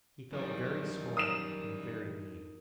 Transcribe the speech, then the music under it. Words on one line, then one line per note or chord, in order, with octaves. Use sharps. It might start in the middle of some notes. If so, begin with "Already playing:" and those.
He felt very small and very mean.
F#2 D#3 E3 G3 E4
D#4 A#4 D#6 C7 E7